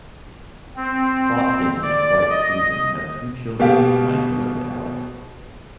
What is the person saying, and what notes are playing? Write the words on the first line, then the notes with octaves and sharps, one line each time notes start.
Plotkin and his wife, Susan, have two children, Michael and Alec.
C4
D5
D#5
B2 G4 F5